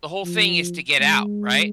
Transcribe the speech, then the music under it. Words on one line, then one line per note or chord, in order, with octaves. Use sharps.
the whole thing is to get out, right?
F3
G#3